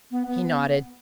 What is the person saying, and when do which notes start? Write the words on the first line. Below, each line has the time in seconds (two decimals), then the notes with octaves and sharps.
He nodded.
0.11 B3
0.27 B3